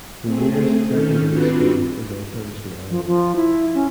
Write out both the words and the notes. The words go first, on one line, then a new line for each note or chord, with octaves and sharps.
The nearest secondary school is on Thursday Island.
A3 C4 G#4
D#3 C#4 A4 F6 G6
C4 D4 F4 F#4 B4
F3
F3
E4
C#4